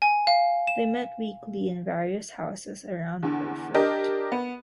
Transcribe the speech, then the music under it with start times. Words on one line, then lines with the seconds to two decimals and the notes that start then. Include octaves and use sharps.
They met weekly in various houses around Erfurt.
0.02 G#5
0.27 F5
0.67 E7
3.23 E2 D3
3.74 D4 G4 A#4 D#5
4.32 B3